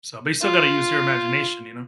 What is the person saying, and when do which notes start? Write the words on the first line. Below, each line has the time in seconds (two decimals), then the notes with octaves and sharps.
So but you still gotta use your imagination, you know?
0.42 F4